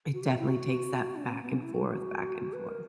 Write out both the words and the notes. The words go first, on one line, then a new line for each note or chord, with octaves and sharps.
it definitely takes that back and forth, back and forth.
F#4
G4
F#4
E4
F#4
D4
B3
C#4
B3
C#4
E4
F#4
B4
A#4